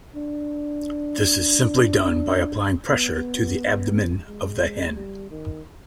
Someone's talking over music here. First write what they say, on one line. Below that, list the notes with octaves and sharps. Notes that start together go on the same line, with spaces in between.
This is simply done by applying pressure to the abdomen of the hen.
D4
B3
G#3
G#3
G3
D#3